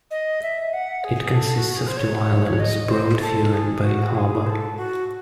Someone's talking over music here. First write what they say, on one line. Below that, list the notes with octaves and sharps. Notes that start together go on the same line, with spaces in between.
It consists of two islands: Broadview and Bay Harbor.
D#5
E5
F#5
G#4
A4
F#4
G#4
C5
C#5
D#5
C5
A4
G#4
F#4
G#4
C5
A4
F#4